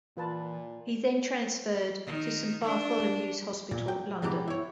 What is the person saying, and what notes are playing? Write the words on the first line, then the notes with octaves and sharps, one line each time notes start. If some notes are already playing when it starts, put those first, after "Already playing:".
He then transferred to Saint Bartholomew's Hospital, London.
A#2 E3 F4 B4 A5
D#3
D4
A#2
G5
G#2 B2 E3 G4 A#5
E4 C#5